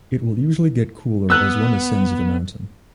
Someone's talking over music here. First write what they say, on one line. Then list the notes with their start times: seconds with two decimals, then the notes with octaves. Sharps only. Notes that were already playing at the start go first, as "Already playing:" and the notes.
It will usually get cooler as one ascends the mountain.
1.30 B3 E6 F#6